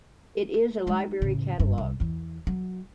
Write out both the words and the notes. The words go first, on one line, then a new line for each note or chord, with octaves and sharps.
It is a library catalog.
G#3 D#4
A1 C#3
F#1 G2
C2
E2 E3
F#3